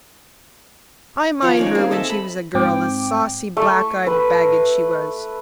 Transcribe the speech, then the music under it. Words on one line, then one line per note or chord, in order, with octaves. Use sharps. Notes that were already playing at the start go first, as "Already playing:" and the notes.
I mind her when she was a girl--a saucy, black-eyed baggage she was!
F3 C#5
C#4 D#4 D5
A#3 C4 G#4
A4 D#5 E5 A5
B5
G#2 C4 G5 D6
A3
B4